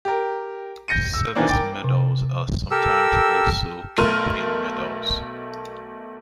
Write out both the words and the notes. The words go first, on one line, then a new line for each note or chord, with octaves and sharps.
Service medals are sometimes also Campaign medals.
G4 A#4
G6 A#6 C#7 D#7
E6
D#3 E3 A#3 C4 D4
A#4 G5 D6 A6
C3
G4 A4 A#4 E6
B1 A3 A#4 C6 F6 D#7